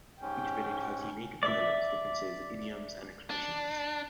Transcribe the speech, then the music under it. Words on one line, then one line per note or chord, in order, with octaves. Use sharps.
Each village has unique dialect differences, idioms, and expressions.
G#2 C#4 G4 G5
D5 E5
D4